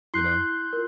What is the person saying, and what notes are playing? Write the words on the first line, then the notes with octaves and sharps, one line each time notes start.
you know,
E4 C6 F#6 G6 C7
F4 A#4